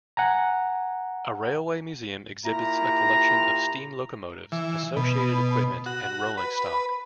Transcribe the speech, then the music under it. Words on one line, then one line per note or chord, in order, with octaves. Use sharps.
A railway museum exhibits a collection of steam locomotives, associated equipment and rolling stock.
F#5 G#5 A#5
A#2 E4 G4 A#5
E3
B2
F#4
B4